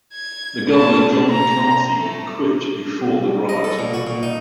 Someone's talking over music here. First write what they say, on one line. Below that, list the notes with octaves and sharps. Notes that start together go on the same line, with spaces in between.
The governor, John McCarthy, had quit before the rioting.
G#6
A5
A#5
A3
D#5
A4
A#2
F#4
A#2
D#4